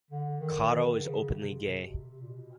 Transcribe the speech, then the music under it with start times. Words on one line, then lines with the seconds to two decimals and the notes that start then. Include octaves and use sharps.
Caro is openly gay.
0.11 D3
0.41 D#3
0.72 D#3
0.97 D3
1.02 C#3
1.21 C#3
1.31 C3
1.62 B2
1.83 C3
2.06 C3
2.21 A#2
2.29 B2